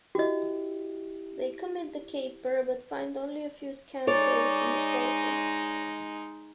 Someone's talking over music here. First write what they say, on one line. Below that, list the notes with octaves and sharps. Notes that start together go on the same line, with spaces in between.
They commit the caper but find only a few scant bills in the process.
E4 F#4 G4 D#5
G#3 D#4 C#5 D5